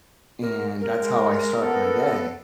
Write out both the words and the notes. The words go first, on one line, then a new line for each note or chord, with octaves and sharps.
and that's how I start my day.
A#4
A#4
G#3
B3 A4